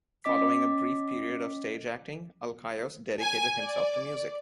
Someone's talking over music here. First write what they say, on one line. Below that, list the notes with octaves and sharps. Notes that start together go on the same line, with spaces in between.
Following a brief period of stage acting, Alkaios dedicated himself to music.
C#4 D#5 D6 B6
G#5
D5